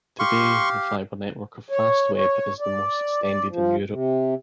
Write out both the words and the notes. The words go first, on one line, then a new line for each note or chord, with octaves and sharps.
Today the Fiber Network of Fastweb is the most extended in Europe.
G4 F5 C6 C#6
C#5
C#5
D5
D5
F3
C3